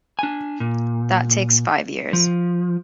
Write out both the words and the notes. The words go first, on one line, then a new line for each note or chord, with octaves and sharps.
That takes five years.
D4 G#5
A#2
F3